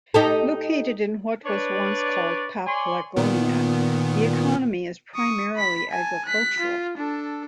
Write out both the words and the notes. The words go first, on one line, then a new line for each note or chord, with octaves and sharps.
Located in what was once called Paphlagonia, The economy is primarily agricultural.
D#4 G4 A4
D4 B4 C#5 D5
C#5 D5 G#5 C6
A#2 D#3 B3
C#6 D#6
B5 B6
G#5 A5
F#6 B6
F4
D4 A4